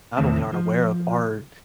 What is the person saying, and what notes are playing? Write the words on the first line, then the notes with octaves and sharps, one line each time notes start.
not only aren't aware of are,
E2 C3 D#3 A3 C4 A5
F3